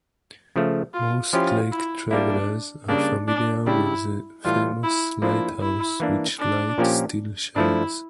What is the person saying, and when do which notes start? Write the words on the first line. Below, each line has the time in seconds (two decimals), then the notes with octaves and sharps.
Most lake travellers are familiar with the famous lighthouse which light still shines.
0.56 C#3 F3 A3
0.94 F4
1.33 F3 C#4 E4 F4 G4
1.72 E4
2.11 G3 A#3 D4 E4
2.89 C#3 G3 A#3 D4
3.28 D4
3.67 C#3 G3 D4 E4 G4
4.44 A2 E3 G3 F4
4.83 E4
5.22 F3 A#3 D4 E4 F4
5.61 E4
6.00 E3 A#3 D4
6.39 D4
6.78 A#2 F3 A#3 C#4 G4
7.56 F3 A3 D4 E4